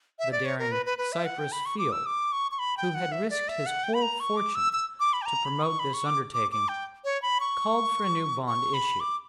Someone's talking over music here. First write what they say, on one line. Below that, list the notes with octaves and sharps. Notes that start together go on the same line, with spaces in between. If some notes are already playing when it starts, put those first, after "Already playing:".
The daring Cyrus Field, who had risked his whole fortune to promote this undertaking, called for a new bond issue.
E5
D5
C#5
A#4
B4
B4
B4
E5
F#5
G5
B5
C#6
D6
E6
D6
C#6
C#6
B5
G5
F#5
E5
D5
E5
F#5
G5
B5
A#5
C#6
D6
E6
E6
D6
B5
G5
A#5
B5
C#6
B5
C#6
D6
D6
D6
G5
C#5
B5
C#6
C#6
B5
D6